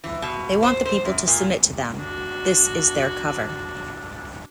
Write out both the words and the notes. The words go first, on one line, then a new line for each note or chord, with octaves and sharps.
They want the people to submit to them, this is their cover.
E3
B2
C5
C5
F#2
A#2
D4 F#4